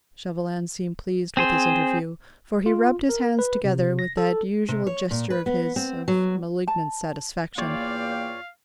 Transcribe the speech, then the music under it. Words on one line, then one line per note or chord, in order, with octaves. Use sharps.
Chauvelin seemed pleased with his interview, for he rubbed his hands together, with that usual gesture of his, of malignant satisfaction.
C4 G#4 C5
F4
A#4
B4
C3
A#6
A4
C3
C#5
A#2
B4
B3
C4
F#3
A5
E2 A#3 F4 C#5 D5 F5 G5